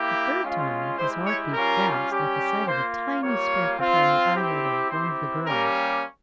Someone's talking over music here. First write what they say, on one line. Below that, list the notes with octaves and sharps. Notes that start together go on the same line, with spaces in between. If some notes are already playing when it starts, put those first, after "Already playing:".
The third time his heart beat fast at the sight of a tiny speck upon the eyelid of one of the girls.
Already playing: A#3 E4 G4
G#3 C#4 F4
G#3 E4 G4 C5
C#5
G3 C#4 F4 A#4
G3 C#4 G4
A#3 F4 C5
G3 A#3 F4 C#5
C4 F4
C4 E4 G4
C4 E4 G4 C5
G3 A#3 C#4 G4 A#4